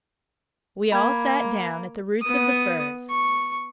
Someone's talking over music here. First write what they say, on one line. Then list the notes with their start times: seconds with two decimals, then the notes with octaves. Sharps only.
We all sat down at the roots of the firs.
0.92 A#3 B5 G#6
2.22 B3 D#6
3.09 C#6